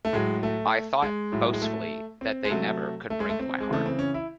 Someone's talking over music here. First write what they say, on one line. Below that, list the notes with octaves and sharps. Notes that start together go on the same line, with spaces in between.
I thought, boastfully, that they never could break my heart.
A3
A2 F#3 G#3
A3
G#3
A2 F#3
G#3
A3
C4
G#3
C3 F#3 A3
A3
G#3
A3
C4
G#3
C#3 E3 A3
C4
C#4
E4